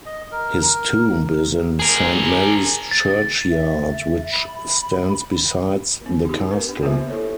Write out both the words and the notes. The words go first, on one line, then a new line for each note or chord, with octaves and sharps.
His tomb is in Saint Mary's churchyard which stands besides the castle.
D#5
A#4
A#4
G#4 A#4
A6
E5
B5
B3
D#4 G4
A#4 B4
D4
A#3 B3 F4 G4 C5 E5
E4 A4 C#5